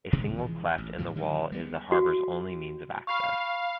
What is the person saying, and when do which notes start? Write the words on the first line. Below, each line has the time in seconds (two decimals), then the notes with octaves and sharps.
A single cleft in the wall is the harbor's only means of access.
0.13 B2 D#3 G#3
0.37 E3 F3 G#3
0.78 A1
0.98 A2 E3 F#3 G3
1.16 D3 F3 F#3 G#3
1.52 G3 G#3 B3
1.92 F#4
3.07 F5 B5 C#6